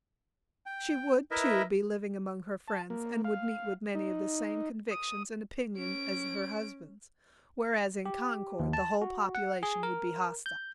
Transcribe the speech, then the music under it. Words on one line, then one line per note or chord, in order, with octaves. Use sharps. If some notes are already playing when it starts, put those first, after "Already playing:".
She would, too, be living among her friends and would meet with many of the same convictions and opinions as her husband's, whereas in Concord the whole population would be hostile.
G5
E4 A#4 B4 D#5 E5
A5
A#3
F5
D#4
D#6
C#4 D7
G4
D#2
A5
F#4
F#5
G#4
A#4
G6